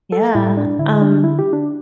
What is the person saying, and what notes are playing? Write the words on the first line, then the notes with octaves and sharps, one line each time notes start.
Yeah, um,
A4
A2 E4
D4
D3 E4
D4
E4
G4
D4